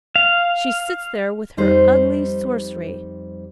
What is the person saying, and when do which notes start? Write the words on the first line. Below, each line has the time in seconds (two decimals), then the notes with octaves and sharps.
She sits there with her ugly sorcery.
0.16 F5
1.57 F2 G3 D#4 C5